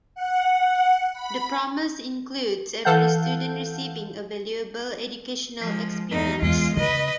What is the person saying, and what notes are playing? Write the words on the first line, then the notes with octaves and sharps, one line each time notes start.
The promise includes every student receiving a valuable educational experience.
F#5
B5
E3 A4 F5 F#5 G6
F3 G#3
E2 D#4
E2 G#3 F4
C#3 B4 D#5